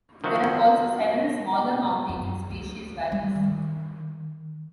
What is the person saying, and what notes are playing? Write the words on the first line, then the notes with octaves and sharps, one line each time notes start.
There are also several smaller mountains and spacious valleys.
D#3 F3 A3 F#4
F#2
D2
G3
D#3